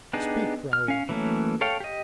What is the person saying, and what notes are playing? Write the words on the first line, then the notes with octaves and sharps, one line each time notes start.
"Speak, Raoul."
B3 D4 D#4 G4 G#4
F6
C#4 F5
E3 F#3 A3 A#3 C#4
A4 C#5 F5 G5
G4 D#5